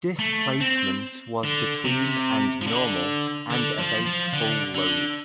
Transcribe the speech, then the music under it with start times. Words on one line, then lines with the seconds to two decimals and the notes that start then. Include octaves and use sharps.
Displacement was between and normal and about full load.
0.19 A3
0.61 C4
1.44 D3
1.85 C3
2.62 F3
2.67 D3
3.50 D3
3.78 F3
4.05 F3
4.33 D3
4.75 D3